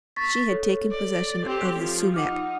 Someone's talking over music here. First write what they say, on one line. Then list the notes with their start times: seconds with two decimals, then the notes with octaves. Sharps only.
She had taken possession of the sumac.
0.16 C#6 A6 B6
0.50 A4 C#5
0.91 D5
1.45 C4 G4
1.79 F3
2.14 D#4 F#5 D6 F6